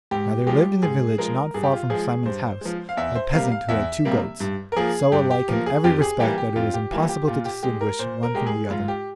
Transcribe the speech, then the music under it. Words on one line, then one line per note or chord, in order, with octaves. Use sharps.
Now there lived in the village not far from Simon's house, a peasant who had two goats, so alike in every respect that it was impossible to distinguish one from the other.
G#2 G4
F3 G#3 G4
G#2 G#4
F3 G#3 A#4
G2 G#4
G4
F4
F3 G#3 G#4
G#4
G2 C5
F3 G#3
F5
E2 E5
C5
C3 G3 A#3 F5
F5
E2 E5
C3 G3 A#3
G2
A#4
F3 A#3 G#4
G2 G4
G4
F3 A#3
G#4
F2 G4
G#4
E3 G3 A#3 G4
G4
F2 F4
G4
E3 G3 A#3 F4
G4
A#2 F4
G4
G#3 G4
A#4
A#2 C5
A#4
G#3 G4
G#4
G#2 F4
G4